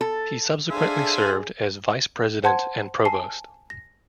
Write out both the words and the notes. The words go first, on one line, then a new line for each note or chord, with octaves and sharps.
He subsequently served as Vice President and Provost.
A4
D4 G#4 A4 C5 E5 F5 G#5
C5 F#5 A5 C6 G#6
G#5 A5 C7
A#6